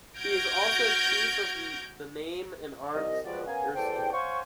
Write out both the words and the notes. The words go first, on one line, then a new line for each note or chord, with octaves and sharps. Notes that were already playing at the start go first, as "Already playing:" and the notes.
He is also Chief of the Name and Arms of Erskine.
F#4 F6 G6 G#6 A#6 D7
C2 D#5
F3 G3 G#3 F#4 B4 D5
B3 C#4 A#4 F5 G#5
E2 G4 A4 C5 D5 G5
C5 C#5 F5 F#5 G#5 C#6